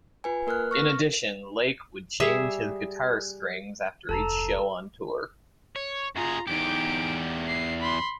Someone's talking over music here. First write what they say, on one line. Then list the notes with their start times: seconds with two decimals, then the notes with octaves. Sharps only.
In addition, Lake would change his guitar strings after each show on tour.
0.24 F4 B4 G#5
0.47 A#3 A#4 B4 F6 F#6
0.71 C#6 F6 A#6
2.20 G3 G#4 E5
4.09 F1 D2 A4 A5 A#5
5.76 C#5
6.16 F#2 F4 G#4 A#5
6.47 E2 D#4 G4 D7
7.47 C7
7.81 B5 C6